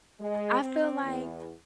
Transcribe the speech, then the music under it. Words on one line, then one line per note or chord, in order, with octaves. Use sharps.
I feel like
G#3
C4
E2